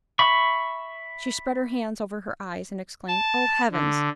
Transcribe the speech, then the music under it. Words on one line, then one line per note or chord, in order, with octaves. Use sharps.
She spread her hands over her eyes, and exclaimed, "Oh, Heavens!"
E5 B5 C#6
A5
D3